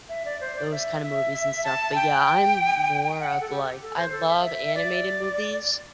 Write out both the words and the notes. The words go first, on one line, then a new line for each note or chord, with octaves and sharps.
those kinda movies and stuff, but, yeah, I'm more of, like I love animated movies,
E5
D5
C5
D5
E5
E5
E5
A5
G5
F#5
F#5
A4
G4
A4
C5
A4
E5
E5
D5